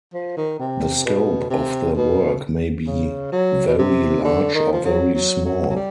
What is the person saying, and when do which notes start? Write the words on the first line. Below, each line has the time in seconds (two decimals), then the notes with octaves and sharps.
The scope of their work may be very large or very small.
0.14 F3
0.37 D#3
0.59 C3
1.05 B2
1.50 C3
1.96 B2
2.87 C#3
3.32 F#3
3.67 B2
3.79 C3
4.24 D3
4.54 D#3
4.73 F3
4.85 F#3
5.15 F#3
5.45 F#3
5.69 F#3
5.76 G3